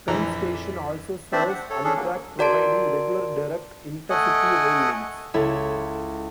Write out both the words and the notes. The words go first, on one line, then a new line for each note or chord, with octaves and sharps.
Penn Station also serves Amtrak, providing regular direct inter-city rail links.
A#1 F2 E3 D5 A#5 B6
A3 C4 D4 C5 D5 E5
F#5
A4 C#5
C#4 D4 G#4 A4
F#3 A#3
F#4 A#4 D5 A5 C6 D7
A3 D#5 F#5 G#5
C#2 E4 A4 C#5 E5